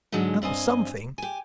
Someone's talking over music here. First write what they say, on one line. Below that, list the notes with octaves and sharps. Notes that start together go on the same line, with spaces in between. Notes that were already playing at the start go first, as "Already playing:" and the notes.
That was something.
G#2 D3 F#3 G#3
G2 C4 D#5 G#5
G4 G#5